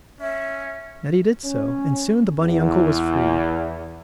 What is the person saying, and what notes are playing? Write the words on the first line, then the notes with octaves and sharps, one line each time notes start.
Neddie did so, and soon the bunny uncle was free.
C#4 E5
C#4
E2